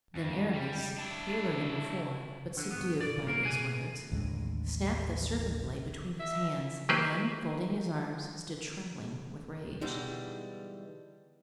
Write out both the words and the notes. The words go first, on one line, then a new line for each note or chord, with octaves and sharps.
Then Aramis, paler than before, but subdued by these words, snapped the serpent blade between his hands, and then folding his arms, stood trembling with rage.
F2
G3
D4 E4
D3
G2 B3
B1 D5
G2 A#3 A#4
B2 G#4 B4 G#5
A1 D#2 D3 G#3
E5
F#3 A#3 G4 B4 C5
B2 D3 E3 G3 G#3 D#4